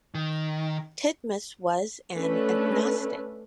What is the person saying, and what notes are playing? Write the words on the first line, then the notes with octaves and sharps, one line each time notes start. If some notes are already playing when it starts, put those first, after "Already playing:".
Titmuss was an agnostic.
D#3
A3 C#4 D4 A4 B4